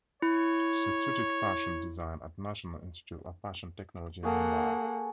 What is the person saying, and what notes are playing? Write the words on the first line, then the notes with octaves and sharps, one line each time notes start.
She studied fashion design at National Institute of Fashion Technology in Mumbai.
E4 C#5
A#3 F#4 G#4 A4 F#5